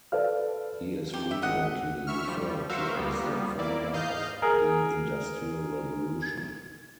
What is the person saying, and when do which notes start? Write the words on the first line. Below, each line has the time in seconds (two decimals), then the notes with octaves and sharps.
He is frequently referred to as the Father of the Industrial Revolution.
0.12 A4 B4 D5 F5 F6
1.13 F2 G4
1.31 E5
1.42 G#1 D#5 F#5
2.07 E3 E5 C#6 F6
2.28 F3 G3
2.70 F#4 A#4 C5 E5 F5
2.95 D2 F3 G3 A#3 B3
3.59 A#3 E4 D5
3.93 G#2 D#5 F5 G6
4.42 G#4 A#4